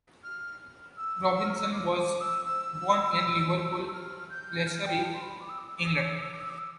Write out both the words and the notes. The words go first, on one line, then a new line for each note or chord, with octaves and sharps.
Robinson was born in Liverpool, Lancashire, England.
F6
E6
E6
F6
E6
D6
D6
E6
E6
E6
F6
G6
F6
G5
A5
C6
B5
D6
E6
D6
E6
D6
E6
D6
E6
D6
E6
D6
E6
D6
E6